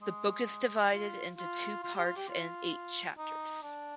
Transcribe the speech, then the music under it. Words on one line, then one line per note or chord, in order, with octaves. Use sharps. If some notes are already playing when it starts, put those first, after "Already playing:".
The book is divided into two parts and eight chapters.
G#3
F4
F4
F4
G4
F4
G4
F4
D#4
D4